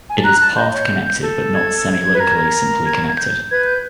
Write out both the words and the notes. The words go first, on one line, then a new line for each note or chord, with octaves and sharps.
It is path connected but not semilocally simply connected.
G#5
A5
A#5 F#6
A5
D#5 G6
C#5
A4
G#6
B4
A#4
G#6
G#6
G6
B4 G#6
G6